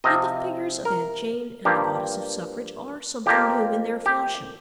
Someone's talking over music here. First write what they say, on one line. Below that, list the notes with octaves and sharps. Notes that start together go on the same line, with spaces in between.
Yet the figures of Aunt Jane and the Goddess of Suffrage are something new in their fashion.
C3 F3 C4 D#5
A#4
G2 F3 A#3 G4
F2 F3 A#3 G4
G4